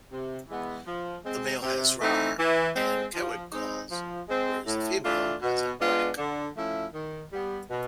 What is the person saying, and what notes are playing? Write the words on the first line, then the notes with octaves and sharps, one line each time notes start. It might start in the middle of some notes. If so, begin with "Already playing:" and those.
The male has "rarr" and "cawick" calls, whereas the female has a "quack".
C3
E3 G#3 B3
F3
G#3 C4
C3
E3 A3 C4 D#4
E3
G#3 C4
F3
G#3 C4 D#4
F3
G#3 C4
A2
E3 A3 D4 F4
B2
G#3 B3 D4 F4
D3
F3 A3 C#4 E4
D#3
G3 B3
B2